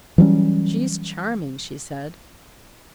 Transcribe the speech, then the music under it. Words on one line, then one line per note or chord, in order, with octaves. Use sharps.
"She's charming!" she said.
E3 F#3 G3 C#4